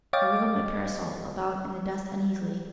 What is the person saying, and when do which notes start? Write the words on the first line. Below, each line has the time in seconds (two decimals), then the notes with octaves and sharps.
I wriggled my parasol about in the dust uneasily.
0.13 C#5 D#5 F5 G5 D6 A6